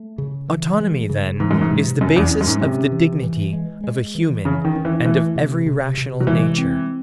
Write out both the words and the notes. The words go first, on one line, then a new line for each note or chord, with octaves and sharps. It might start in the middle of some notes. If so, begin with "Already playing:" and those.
Autonomy then is the basis of the dignity of human and of every rational nature.
Already playing: A3
C#3
E3
G#3
C#3
G#2 E3
F#2
G#2
C3
F#2 C#4
E2
C#4
F#2
G#2
C3 C#4
E3
E3
G#3
G#3
E3
C#3 E3
D#3
C#4
E3
E3 A3
C3
C3
C3
F#3
E3 G#3
C4